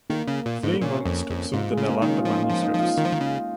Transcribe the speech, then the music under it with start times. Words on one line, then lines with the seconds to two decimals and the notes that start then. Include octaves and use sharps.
Fleeing monks took some of the Nalanda manuscripts.
0.10 D#3 A#3
0.28 C#3
0.46 A#2
0.63 G#2
0.73 A#3
0.82 A#2 C#4
1.06 F2
1.29 F2
1.53 G#2 F4
1.72 G#3
1.78 C#3
1.89 A#3
1.99 D#3 D#4
2.07 C#4
2.18 F4
2.25 F3 D#4
2.43 F4
2.49 F3
2.62 D#4
2.73 F3
2.79 F4
2.98 D#3
3.05 F3
3.12 D#3
3.21 C#3